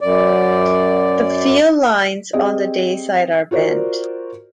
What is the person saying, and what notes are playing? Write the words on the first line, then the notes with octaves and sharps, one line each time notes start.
The field lines on the dayside are bent.
F#2 D5
C4 G4 G#4 D5 D#5
F4 F#4 A#4 C5 D5